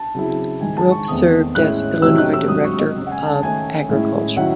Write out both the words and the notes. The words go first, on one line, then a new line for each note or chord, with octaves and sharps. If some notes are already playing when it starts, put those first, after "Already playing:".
Ropp served as Illinois Director of Agriculture.
Already playing: A5
C#3 F#3 C4 E4
G#2 D#3 G#3 D#4 G#5
A5
C#6
E2 D#3 A3 C4 D#6
A2 G#3 C#4 E4 F#6
C3 D#3 F#3 A3 C#4 E6
F#6
E6
G#2 F#3 C4 D#6
C#6
D#5
C#3 G#3 C#4
F#5
G#5
A5
D#3 A3 C#4 G#5
A2 G#3 C#4 E4
D#3 F#3 C#4 E4 F#5